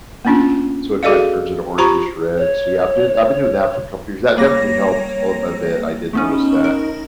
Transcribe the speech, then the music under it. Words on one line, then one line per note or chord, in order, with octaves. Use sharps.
so, it kinda turns into orangish red, so yeah, I'm doing that I've been doing that for a couple years, that definitely helped a little a bit, I did notice that.
A#3 B3 C#4 D4 F4
F#4 G#4 A4 D5 D#5 F5
F4 G4 C5 A#5 B5 C#6
C#5
G3 A#3 C#5 A#6
A3 B3 C#4 D#4
A#4